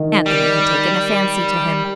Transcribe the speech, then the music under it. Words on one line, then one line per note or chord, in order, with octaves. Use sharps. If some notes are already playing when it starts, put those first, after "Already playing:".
Anthony had taken a fancy to him.
Already playing: D#3
G3